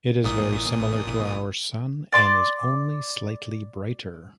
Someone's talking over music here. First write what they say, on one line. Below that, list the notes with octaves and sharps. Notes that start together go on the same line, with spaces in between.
It is very similar to our Sun and is only slightly brighter.
A1 A#2 D#6
D5 C6 D6